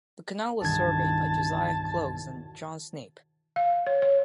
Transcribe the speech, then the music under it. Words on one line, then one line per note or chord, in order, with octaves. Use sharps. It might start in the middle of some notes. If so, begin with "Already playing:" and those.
The canal was surveyed by Josiah Clowes and John Snape.
E1 C2 G2 D#3 A5 G#6
F5
C#5
C#5